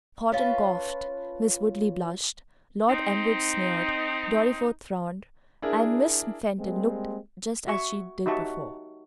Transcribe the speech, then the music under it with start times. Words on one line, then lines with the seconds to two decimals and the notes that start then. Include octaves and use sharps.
Horton coughed--Miss Woodley blushed--Lord Elmwood sneered--Dorriforth frowned--and Miss Fenton looked just as she did before.
0.32 C#4 F4 B4 A5
2.88 C4 D#4
5.62 D4 E4 G#4 A#4
6.59 G3 G#3 A#3 C4
7.67 F#4 E5 C#6
8.26 D#4 F#4 G4 E5 A5 C#6